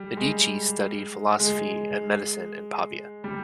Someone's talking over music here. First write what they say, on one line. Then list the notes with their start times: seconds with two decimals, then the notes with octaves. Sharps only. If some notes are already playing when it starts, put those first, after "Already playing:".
Medici studied philosophy and medicine in Pavia.
Already playing: G3
0.17 G#3
1.40 G#3
3.24 G3